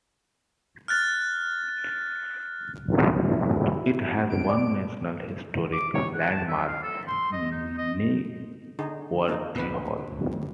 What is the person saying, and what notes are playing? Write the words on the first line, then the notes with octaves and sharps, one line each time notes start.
It has one National Historic Landmark, Kenworthy Hall.
F6 F#6 A6
E4
D7
D5
D6
C#5
F#5
A5
E5
F5
A4
C6
D#5
D#4
D#5
D3 D#4 G#4
A#3 D#4
D2 A#2 D3 B3 B4
D2